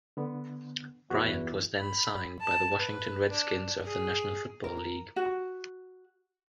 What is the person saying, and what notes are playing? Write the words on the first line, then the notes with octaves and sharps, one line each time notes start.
Bryant was then signed by the Washington Redskins of the National Football League.
D3 B3
E2 E4 F#4
B5
A5
B4
D4
G#4
A#4
F#4